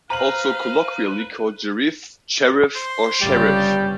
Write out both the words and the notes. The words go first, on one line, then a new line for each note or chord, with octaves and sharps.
Also colloquially called Jerife, Cherif, and Sherif.
B4 C5 F5 A#5 D#7 F#7
C5
G1 C#3 G3 G4 D5